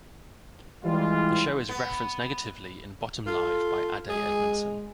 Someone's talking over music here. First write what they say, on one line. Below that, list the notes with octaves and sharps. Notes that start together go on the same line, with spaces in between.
The show is referenced negatively in Bottom Live by Ade Edmondson.
E3 G3 G#3 F4
B3
F4 A4
G#3 G#4